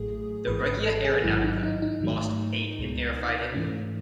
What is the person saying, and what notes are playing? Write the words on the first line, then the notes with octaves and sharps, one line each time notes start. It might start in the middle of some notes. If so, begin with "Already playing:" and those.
The "Regia Aeronautica" lost eight in air fighting.
Already playing: A1 A2 F#3 A3 G#4
G#1 G#2 E3 B4
B4
A4
G#4
A1 G#2 D#3 F#3 E4
D#4
D#4
D#4
G#2 D#3 F#3 A3
C#2 B2 G#3
G#2 E3 A3 C#4